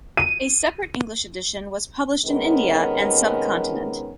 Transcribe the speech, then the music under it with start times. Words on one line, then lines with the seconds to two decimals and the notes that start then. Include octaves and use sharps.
A separate English edition was published in India and Sub Continent.
0.17 D#7
2.25 C3 D#3 G#3 B3 C#4 A#4